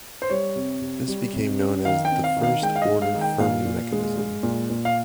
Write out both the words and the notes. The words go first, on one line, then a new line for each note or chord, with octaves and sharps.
This became known as the "First Order Fermi Mechanism".
C5
G3 C#5
C3
C3
G3
C3
C#4
D#3 F5
G5
C4
F5
D#3
F5
G#3 G5
F5
D#5
G#3
F5
D#3
G5
A#2 F5
A#2
G#3
G#3
A#2
A#2
F5